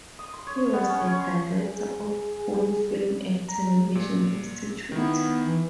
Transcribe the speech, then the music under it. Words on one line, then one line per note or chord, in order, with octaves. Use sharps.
He was the director of Pune Film and Television Institute.
D#6
C6
C#5
B3
C#4
C#5
C6
G#4
G3
A#5
A#2
D#3 B3 E4
E3